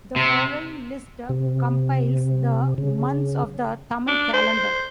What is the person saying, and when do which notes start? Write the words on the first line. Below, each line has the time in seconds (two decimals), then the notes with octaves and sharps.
The following list compiles the months of the Tamil Calendar.
0.16 C3
1.29 C3
2.78 C#3
4.08 D4
4.34 C5